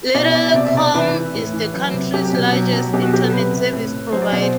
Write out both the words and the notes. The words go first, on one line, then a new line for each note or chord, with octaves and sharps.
Lattelecom is the country's largest internet service provider.
B2 D5
E5
B2 D5
E5
C3 D5
E5
C3 D5
E3 B4
E3
A2
E3
F#3
C3
F#3 G4
B2
F#3
F#3
B2 G4
F#4
F#3 G4
A4
C3 B4
C3
A2
A2
F#3 C5
D5
B2 D5
C5